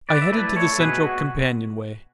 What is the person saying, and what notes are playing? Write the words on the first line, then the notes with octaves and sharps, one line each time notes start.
I headed to the central companionway.
B4 D5
E5
A3 E4 B4 D5
A4 C#5
A4
B2 G#4 B4
F#4